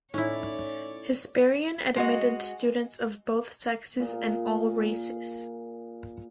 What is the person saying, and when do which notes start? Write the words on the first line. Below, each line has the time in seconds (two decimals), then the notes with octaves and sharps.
Hesperian admitted students of both sexes and all races.
0.14 A2 C#4 D#4 E4 C#5 D5
1.96 G#3 F#4 D#5
4.00 A#2 G#4